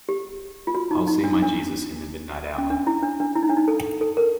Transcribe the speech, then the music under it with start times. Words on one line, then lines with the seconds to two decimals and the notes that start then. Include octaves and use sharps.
I'll see my Jesus in the midnight hour.
0.09 G4
0.67 F4
0.75 F#4
0.91 D#4
1.07 D#4
1.24 D4
1.33 D#4
1.42 D4
2.58 C#4
2.70 D4
2.87 E4
3.03 D4
3.20 D4
3.35 E4
3.43 D#4
3.49 D4
3.57 D#4
3.68 A4
4.01 A4
4.17 A#4